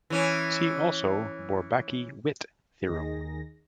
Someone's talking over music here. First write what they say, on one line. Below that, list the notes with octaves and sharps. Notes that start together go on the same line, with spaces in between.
See also Bourbaki-Witt theorem.
E3 C#4
D#2 D#3 D#4 G#4 A#6